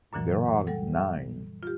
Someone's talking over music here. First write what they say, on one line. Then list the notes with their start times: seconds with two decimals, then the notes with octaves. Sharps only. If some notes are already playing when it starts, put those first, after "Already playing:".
There are nine.
0.13 F#2 A#2 D3 E3 F#3
0.67 G3 A4 F#5
1.63 F4 G4